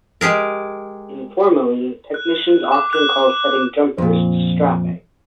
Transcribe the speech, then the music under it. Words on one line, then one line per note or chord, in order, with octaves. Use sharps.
Informally, technicians often call setting jumpers "strapping".
G#3 G4 G#4 A#4
F#6
D6
F#6
F2 A#2